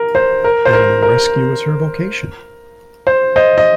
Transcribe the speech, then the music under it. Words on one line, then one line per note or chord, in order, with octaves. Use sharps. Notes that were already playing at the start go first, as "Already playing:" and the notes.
Animal rescue is her vocation.
Already playing: A#4
C5
A#4
C5
A#4
A#4
C5
C5 D#5
D#5